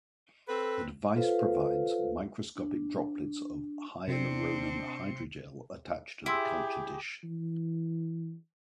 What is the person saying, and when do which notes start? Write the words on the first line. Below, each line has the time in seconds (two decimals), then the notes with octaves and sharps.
The device provides microscopic droplets of hyaluronan hydrogel attached to the culture dish.
0.48 C4 A4 B4
1.15 F4 A4 B4 C5 F5
2.56 D4
4.08 C3 C4 D4 C6 C#7
6.26 E4 G4 G#4 E5 C6 E6
7.24 E3